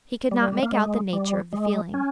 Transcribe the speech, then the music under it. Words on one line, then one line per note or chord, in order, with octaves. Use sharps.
He could not make out the nature of the feeling.
G3
A#3
G#3
G3
G#3
C#4